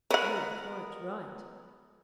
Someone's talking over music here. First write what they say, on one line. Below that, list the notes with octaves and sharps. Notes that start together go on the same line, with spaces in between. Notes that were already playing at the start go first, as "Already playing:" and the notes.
'You are quite right.
B3 A#4 C#5 F#5